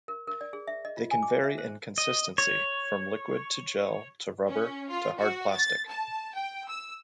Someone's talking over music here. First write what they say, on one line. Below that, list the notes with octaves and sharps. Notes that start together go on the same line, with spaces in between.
They can vary in consistency from liquid to gel to rubber to hard plastic.
A#4
A#4
D5
G#4
E5
D#5
F4
G#5
D6
E5
C5
D#5
C#5
C#4
F4
F#4
A6
A5
G5
E6